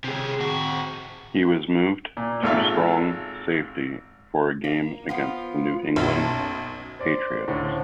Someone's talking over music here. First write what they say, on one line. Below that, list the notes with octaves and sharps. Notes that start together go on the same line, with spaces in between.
He was moved to strong safety for a game against the New England Patriots.
C3 G#4
C4 F#4
A#2
G#1 G#2 F4 A4 E5 F5
A#3
F3 B3 F4
B1 F#2 A5
C5 D5
C#2 A2 D3 C5